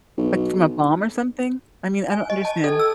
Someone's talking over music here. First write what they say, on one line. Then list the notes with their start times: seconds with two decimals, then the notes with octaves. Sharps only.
Like, from a bomb or something? I mean, I don't understand.
0.18 B1
2.12 G#5
2.30 D#5
2.45 A5
2.64 A4
2.79 E6